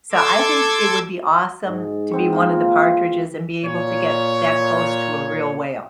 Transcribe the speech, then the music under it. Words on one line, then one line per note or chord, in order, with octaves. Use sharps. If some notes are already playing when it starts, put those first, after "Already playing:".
so I think it would be awesome to be one of the Partridges, and be able to get that close to a real whale.
A4 C6 D6 E6 G#6
G#2
B3 C4 C#6
A#3 F4
A#2 C#5